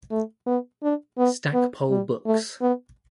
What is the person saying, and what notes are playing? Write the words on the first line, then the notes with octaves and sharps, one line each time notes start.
Stackpole Books.
A3
B3
D4
B3
B3
G3
A3
B3